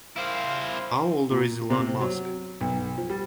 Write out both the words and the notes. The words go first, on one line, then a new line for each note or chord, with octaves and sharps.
How older is Elon Musk?
E4 C5 F5
A#2
C3
F#3
B1
F3
G3